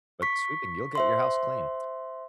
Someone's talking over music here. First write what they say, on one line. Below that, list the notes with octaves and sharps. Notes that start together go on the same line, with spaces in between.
But sweeping, you'll get your house clean.
C#6 B6
C5 E5 C6